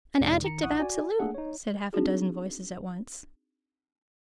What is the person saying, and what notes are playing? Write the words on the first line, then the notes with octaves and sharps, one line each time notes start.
'An adjective absolute,' said half-a-dozen voices at once.
A1 F2 C3 G#3 D#4 D5
D#3 A#5 C#7
A#1 E4 F#5 C#6 D#6 F#6
F#4 D5 G#5
A3 A#3 D4 G#4 A4 F#5
D#4 C#5
C4 D4 D#4 F#4 G#4